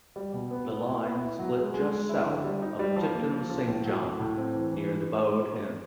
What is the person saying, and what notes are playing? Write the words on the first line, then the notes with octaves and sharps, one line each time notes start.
The line split just south of Tipton Saint John, near the Bowd Inn.
G3
B2
B3
B3
E4
B3
E4
F#3
G#3
G#3
G#3
E4
D3
G3
D#4
G3
F3
A#3
F3
F3
A2
F#3
A2
A2
C4
E3
E3